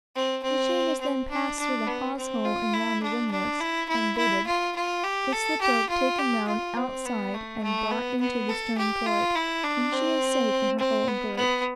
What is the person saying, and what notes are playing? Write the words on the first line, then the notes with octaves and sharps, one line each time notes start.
The chain is then passed through the hawse-hole and round the windlass, and bitted, the slip-rope taken round outside and brought into the stern port, and she is safe in her old berth.
C4
C4
C4
D4
D4
B3
C4
F4
E4
D4
D4
E4
E4
E4
F4
F4
G4
A4
G4
F4
G4
F4
C4
B3
A3
A3
B3
B3
A4
G4
F4
E4
D4
C4
C4
B3
B3